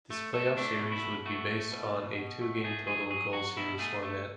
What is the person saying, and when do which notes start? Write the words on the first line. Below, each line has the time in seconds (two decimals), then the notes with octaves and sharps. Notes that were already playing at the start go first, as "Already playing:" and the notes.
This playoff series would be based on a two-game total goal series format.
0.10 A3
0.34 A3 A4
0.57 A3 D4
0.80 B2
0.92 E4
1.03 B2
1.25 A3 F#4
1.50 A3
1.72 B2
1.95 B2
2.19 B2
2.41 A3
2.64 A3 G#4
2.87 F#3 G#4
3.11 F#3 G#4
3.33 F#3 F#4
3.57 B2 E4
3.79 A3 G#4
4.03 A3